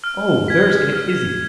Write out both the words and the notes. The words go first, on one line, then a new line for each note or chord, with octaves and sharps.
Oh, there's Aunt Izzie!
F6
G#6 B6
F6